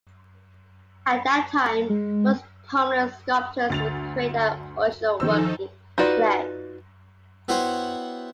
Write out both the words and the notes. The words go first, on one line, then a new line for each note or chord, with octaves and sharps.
At that time most prominent sculptors would create their original work in clay.
G#3
D2 A6 F7
D#3 F3 D#4 A4 C5 E6
D#4 F4 F#4 B4 D5
B3 E4 F#4 C5 C#5 G5